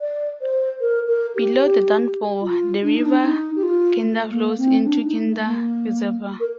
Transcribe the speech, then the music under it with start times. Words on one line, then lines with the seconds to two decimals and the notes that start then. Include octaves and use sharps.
Below the Downfall the River Kinder flows into Kinder Reservoir.
0.01 D5
0.41 C5
0.81 A#4
1.08 A#4
1.35 G4
2.42 F4
2.83 D4
2.94 D#4
3.05 D4
3.23 D#4
3.56 G4
3.63 F4
4.03 A3
4.31 A#3
4.58 C4
4.84 D4
5.05 D#4
5.25 A3
5.45 A#3
6.40 A#4